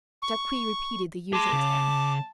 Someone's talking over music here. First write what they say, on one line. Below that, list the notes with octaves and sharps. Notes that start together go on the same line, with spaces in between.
Jacques repeated the usual tale.
C#6
G#4 A5 C6 D6
C#3